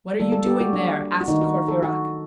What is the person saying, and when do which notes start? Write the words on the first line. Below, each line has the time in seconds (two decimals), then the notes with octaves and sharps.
"What are you doing there?" asked Courfeyrac.
0.20 D3 G3 A#3 A4
0.32 A4
0.46 G4
0.61 F#4
0.73 D4
1.21 F#4
1.28 D#3 A3 D#4
1.41 F#4
1.68 A4
1.82 F#4